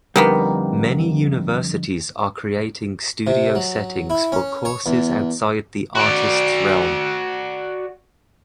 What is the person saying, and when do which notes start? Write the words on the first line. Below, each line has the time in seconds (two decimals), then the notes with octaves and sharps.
Many universities are creating studio settings for courses outside the artist's realm.
0.16 F2 D3 D#3 G3 A#3 B3
3.27 C3
3.55 F#3
4.10 E4
4.32 C#4
4.65 C#5
4.86 E2
5.95 F#4 D5